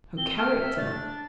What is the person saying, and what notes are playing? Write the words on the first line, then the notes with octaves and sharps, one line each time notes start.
'Her character!
C4 G7
G5 F6
E5
A3 A6
D4